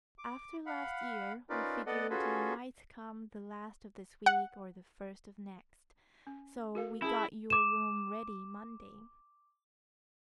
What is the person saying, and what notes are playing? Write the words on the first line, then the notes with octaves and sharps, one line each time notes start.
"After last year, we figured you might come the last of this week or the first of next, so we got your room ready Monday."
D6
F5 F#5 B5
C#4 D#4 F4 A#4 B4 D5
B3 A4 D5 D#5 F#5
C#4 F4 F#4 G#4 A4 B4
F#5
C#4
F#4 A#4 F5
C#4 E4 G#4 A5
D6 E7